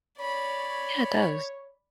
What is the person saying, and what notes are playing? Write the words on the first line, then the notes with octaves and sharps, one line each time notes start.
Yeah. It does.
C#5 D5 B5